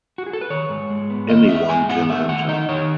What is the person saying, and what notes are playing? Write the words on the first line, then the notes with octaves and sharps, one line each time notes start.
Anyone can enter.
F#4
G#4
A4
B4
D#3 C#5
G#2
G#3
B3
D#3 D#5
G#2 E5
G#3 G#5
B3 F#5
A3 E5
D#3 F#5
D#4 D#5
D#3 C#5